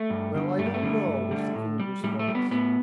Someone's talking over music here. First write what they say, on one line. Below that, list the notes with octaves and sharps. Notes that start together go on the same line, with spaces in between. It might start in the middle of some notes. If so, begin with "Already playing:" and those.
"Well, I don't know," was the cool response.
Already playing: A3
G2
D3 G3
G2 A3
G3
A3
D3 G3
G2
D3 G3
A2
G3
A2 G3
A3
G3
B3
A2 B3